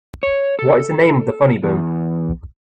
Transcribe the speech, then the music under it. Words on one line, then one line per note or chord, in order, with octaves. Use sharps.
What is the name of the funny bone?
C#5
A4
E2